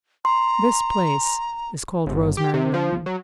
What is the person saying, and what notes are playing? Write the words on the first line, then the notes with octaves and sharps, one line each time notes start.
This place is called Rosemary Lane.
A#5 C6
G1
G4
C3
F3
F#3